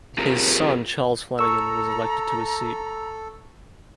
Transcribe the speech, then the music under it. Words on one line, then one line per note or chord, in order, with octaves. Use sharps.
His son, Charles Flanagan, was elected to his seat.
C4 F4 G4 G#4 A#4 B4
A4 A#5 C#6 E6